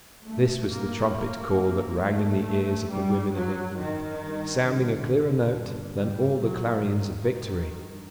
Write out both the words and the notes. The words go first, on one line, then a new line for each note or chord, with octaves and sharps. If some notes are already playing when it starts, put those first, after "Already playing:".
This was the trumpet call that rang in the ears of the women of England, sounding a clearer note than all the clarions of victory.
G2 A3
G2 A#3
F#2 A#3
F#2
F#2 A3
F#2
G2 G3
F#2 F#3
F#2 D#3
G2
G2 D3
F#2
G2
G2 G3
G2 F#3
F#2 D#3
G2
G2